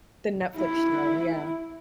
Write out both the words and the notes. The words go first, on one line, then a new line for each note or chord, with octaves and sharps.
The Netflix show, yeah.
E4